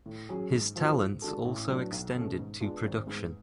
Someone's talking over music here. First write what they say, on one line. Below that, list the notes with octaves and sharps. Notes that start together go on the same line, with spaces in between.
His talents also extended to production.
A2
F#3 C#4 G#4
G#2
F3 B3 F#4
G#2
G#3 D4 F#4 A4
A1
A2 F#3 B3 D4
B1
B2 A3 C#4
G#2
G#3 B3 D4 F4
G#1
G#2 G#3 B3